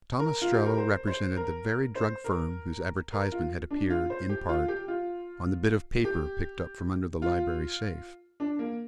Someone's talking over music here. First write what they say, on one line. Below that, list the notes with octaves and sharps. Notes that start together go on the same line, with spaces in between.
Tom Ostrello represented the very drug firm whose advertisement had appeared, in part, on the bit of paper picked up from under the library safe.
A#4
F4
G4
A#4
C5
C5
A#4
C5
A#4
A#4
F4
D4
F4
C5
G4
F4
G4
F4
G4
F4
D4
A#3